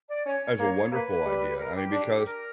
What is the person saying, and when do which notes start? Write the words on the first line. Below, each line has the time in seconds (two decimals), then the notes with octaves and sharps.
That's a wonderful idea, I mean, because
0.09 D5
0.26 C#4 C#5
0.59 A#3
0.92 A#3 B4
1.26 G3
1.58 A#4
1.75 G4
1.92 D4
2.24 A#4